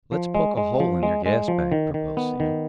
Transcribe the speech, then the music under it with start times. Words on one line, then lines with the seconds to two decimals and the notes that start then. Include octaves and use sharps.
"Let's poke a hole in their gas bag," proposed Sam.
0.12 F3
0.35 G#3
0.57 G#3
0.80 F3
1.03 G#3
1.26 G#3
1.48 F3
1.72 D#3
1.94 D#3
2.17 B3
2.40 D#3